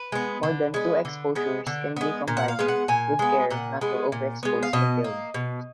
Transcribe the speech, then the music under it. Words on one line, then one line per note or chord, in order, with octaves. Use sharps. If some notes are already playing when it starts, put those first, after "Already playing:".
More than two exposures can be combined, with care not to overexpose the film.
Already playing: B4
G#3 B3
D3
G#3 B3
D3
G#3 B3
D3
G#3 B3
A#2
F#5
F5
G#3 B3
F#5
A#2 G#5
G#3 B3
A#2 F#5
G#3 B3
A#2
G#3 B3
F5
B2 D#5
A#3
B2